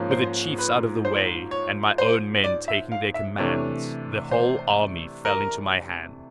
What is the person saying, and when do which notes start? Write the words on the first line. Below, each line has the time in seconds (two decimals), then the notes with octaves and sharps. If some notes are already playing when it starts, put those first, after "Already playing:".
With the chiefs out of the way, and my own men taking their commands, the whole army fell into my hands.
Already playing: G#2 F3 A#3 C#4
0.11 C5
0.58 B4
1.05 C5
1.51 C#5
1.98 C5
2.44 D5
2.68 E5
2.92 F5
3.14 E5
3.38 C3 E3 A3 D4 C#5
4.31 C5
5.25 A#4